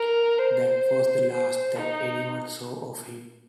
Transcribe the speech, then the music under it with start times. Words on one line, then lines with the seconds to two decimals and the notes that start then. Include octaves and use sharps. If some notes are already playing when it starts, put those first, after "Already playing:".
That was the last that anyone saw of him.
Already playing: A#4
0.38 C5
1.33 C5
1.79 D#4